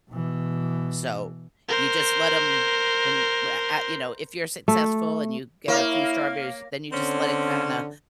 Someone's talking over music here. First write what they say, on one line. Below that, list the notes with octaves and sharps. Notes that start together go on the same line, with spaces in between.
so, you just let 'em when wha at you know, if you're successful and you get a few strawberries, then you just let it kinda
B2 E3
A#4 C5
A3
A#3 E4 C#5 F5 F6
D3 C4 C#4